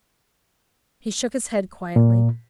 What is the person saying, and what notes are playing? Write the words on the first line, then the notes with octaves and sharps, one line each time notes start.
He shook his head quietly.
A#2